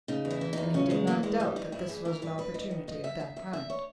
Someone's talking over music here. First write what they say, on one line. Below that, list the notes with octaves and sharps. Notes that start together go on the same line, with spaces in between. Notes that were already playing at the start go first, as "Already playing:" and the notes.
And he did not doubt that this was an opportunity of that kind.
C#3 D#4
E2
E4
E3
E2 D#4
C#3 C#4
E2 G#3
E3 A#3
E2 G#3
E3 G3
G2 D#4
G2 E4
E3 G#4
E3 A#4
G2 B4
G2 B4
E3 D#5
D#3
G2 D#5
G2 E5
D#3 E5
D#3 E5
G2 E5
C#5